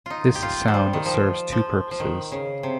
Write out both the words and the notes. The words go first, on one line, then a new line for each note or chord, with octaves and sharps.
This sound serves two purposes.
D#4 F4
G4
F4
F3
G3
D#3
F3
F3
F3
D#3
C#3
C3